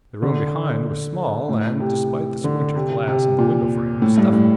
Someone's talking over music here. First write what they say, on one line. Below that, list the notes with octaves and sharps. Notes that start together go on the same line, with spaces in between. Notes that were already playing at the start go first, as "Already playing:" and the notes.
The room behind was small, and, despite the splintered glass in the window frame, stuffy.
D3
A2
C3
D3
C3
C3
A#2
A2
G2
A2